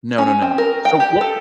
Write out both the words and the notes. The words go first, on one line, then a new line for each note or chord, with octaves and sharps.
No, no, no. So, wha
C#4
C4
A#4
G5
G4
A4